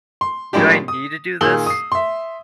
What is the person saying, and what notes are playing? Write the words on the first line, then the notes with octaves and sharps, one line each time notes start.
do I need to do this?
C6
A2 F3 G#3 A#3 D4 G4
D#6
A#2 D#3 G#4 E6 F#7 G7
D#6 C7
E5 C6